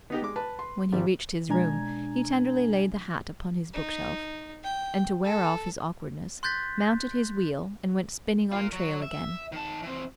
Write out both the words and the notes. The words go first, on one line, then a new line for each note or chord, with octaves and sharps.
When he reached his room, he tenderly laid the hat upon his bookshelf, and to wear off his awkwardness, mounted his wheel and went spinning on trail again.
B3 D#4 G4
G#3 D6
B4 A5
C6
G#1 G3
B2 G#3 D4 G#5 A#5 G#6
D#4
G5
A4
C6 F#6 G6 A6 B6
F4 A#4
F#3
E5
D#3 A5
E3 C4